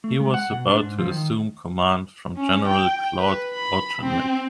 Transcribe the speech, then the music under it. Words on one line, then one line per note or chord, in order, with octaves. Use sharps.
He was about to assume command from General Claude Auchinleck.
A3
G#3
F#5
B2
D4
G#2
F3
D#3
C#4
G5
B4
B5
C4